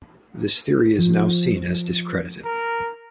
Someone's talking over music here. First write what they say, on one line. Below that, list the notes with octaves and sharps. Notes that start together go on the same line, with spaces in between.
This theory is now seen as discredited.
F3
A#4